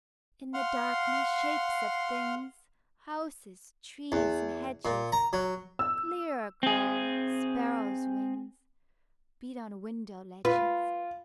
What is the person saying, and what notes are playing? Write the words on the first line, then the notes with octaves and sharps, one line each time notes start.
In the darkness shapes of things, Houses, trees and hedges, Clearer grow; and sparrow's wings Beat on window ledges.
F5 F#5 C6 F6
E2
A#2
A#5
F#3
E6
C4 G#4
F4 B4